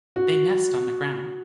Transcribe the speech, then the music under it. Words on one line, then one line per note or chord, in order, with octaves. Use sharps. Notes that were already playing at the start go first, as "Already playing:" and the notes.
They nest on the ground.
F#4